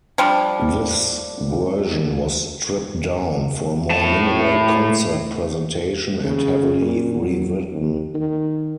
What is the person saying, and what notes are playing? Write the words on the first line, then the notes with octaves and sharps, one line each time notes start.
This version was stripped down for a more minimal "concert" presentation and heavily rewritten.
F3 G3 D4
A2 A5
C#3
A#2
F#3
D#2
D#3